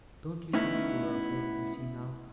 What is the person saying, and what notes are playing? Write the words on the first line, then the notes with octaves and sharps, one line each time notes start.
'Don't you think you are afraid of the sea, now?'
A3 B3 C#4 D#4 E4